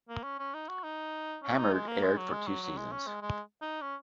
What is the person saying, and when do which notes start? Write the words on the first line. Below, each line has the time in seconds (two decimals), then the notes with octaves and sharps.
"Hammered" aired for two seasons.
0.09 A#3
0.23 C#4
0.39 C#4
0.54 D#4
0.68 F#4
0.83 D#4
1.43 C#4
1.58 D#4
1.73 G#3
1.87 A#3
2.03 G#3
2.17 F#3
2.32 G#3
2.47 F#3
2.62 F#3
2.77 G#3
2.92 C#4
3.07 G#3
3.22 G#3
3.62 D#4
3.81 C#4